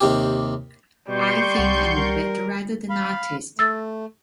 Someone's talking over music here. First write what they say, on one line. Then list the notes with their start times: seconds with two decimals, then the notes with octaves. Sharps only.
I think I'm a better writer than artist.
0.01 D#2 C3 G4
1.08 B2 G3 C6 C#6 G6
1.55 C2 C3 F#5 A6
1.97 G3 A#4
2.90 F5 B5
3.59 A3 E6 A6